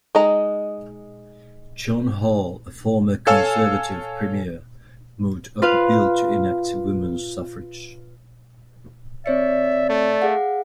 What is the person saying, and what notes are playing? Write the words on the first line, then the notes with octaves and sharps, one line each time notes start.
John Hall, a former conservative premier, moved a Bill to enact women's suffrage.
G#3 D#4 D#5 A#5
A4 C#5 F5 G#5 E6
F4 B4 F5
C4 C#5 D5 E5 C#7
A3
G#4 F5 F#5